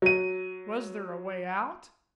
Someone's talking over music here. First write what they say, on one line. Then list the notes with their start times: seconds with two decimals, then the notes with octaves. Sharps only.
Was there a way out?
0.02 F#3 D#7